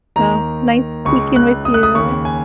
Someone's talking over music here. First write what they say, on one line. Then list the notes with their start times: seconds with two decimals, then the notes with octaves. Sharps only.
Well, nice speaking with you
0.16 D#2 D#3 A#5
1.05 C#2 C#3 C#6
1.36 F#6
1.65 D#6
1.74 F#6
1.83 D#6
1.95 D#2 C#3 C#6
2.25 G#5